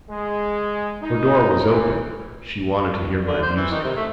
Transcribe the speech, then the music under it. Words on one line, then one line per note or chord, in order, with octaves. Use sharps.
Her door was open: she wanted to hear my music.
G#3
D#4
E3
D3
C5
E3
D#3
C3
A3